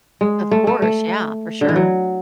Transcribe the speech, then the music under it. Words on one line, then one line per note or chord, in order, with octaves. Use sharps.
of course, yeah, for sure.
G#3
A3
A3
A3
D3
E3
F#3